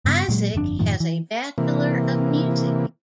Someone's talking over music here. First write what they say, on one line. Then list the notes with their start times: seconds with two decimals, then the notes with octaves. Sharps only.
Isaac has a Bachelor of music.
0.05 G2 C#3 A#3 B3
0.28 A#2 F#3 G#3
0.55 G1 F2 C3 D4
0.79 F#2 A2 D#3 F3
1.00 E3
1.58 C3 E3 A#3